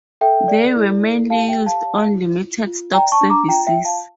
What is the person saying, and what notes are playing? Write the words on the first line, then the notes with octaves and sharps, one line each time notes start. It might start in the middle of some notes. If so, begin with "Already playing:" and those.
They were mainly used on limited-stop services.
A4 E5 G5
D5
E4
A4
G4 F5 A5
E5 G5
G4
F5 A5
C#5
E4
F4
F4
D5 G5 A#5
A5 C#6
D4
A#5 D6
F4 G5 A#5
E5 G5
F4
F5 A5